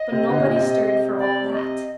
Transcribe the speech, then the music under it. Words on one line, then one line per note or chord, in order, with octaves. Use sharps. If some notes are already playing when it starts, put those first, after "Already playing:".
But nobody stirred for all that.
Already playing: D#5
C3
D3
C3
A#2
C3
D5
D#5